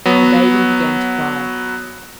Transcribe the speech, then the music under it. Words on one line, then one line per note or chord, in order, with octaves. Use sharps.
The baby began to cry.
F#3 B3